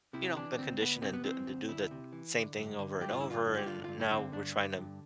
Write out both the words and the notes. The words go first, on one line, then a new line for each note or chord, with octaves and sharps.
you know, been conditioned and d to do the same thing over and over, and now we're tryna,
C3 E4
E3 D4
D2 C4
D2 B3
C3 C4
B3
E3 C4
D2
D2 E4
C3
E3
D3
G2
D3
G2 G4
F4
D3 E4
F4
G2
G4
D3 F4
G2 F4
E4
D3
C4
G2 D4
D3
G2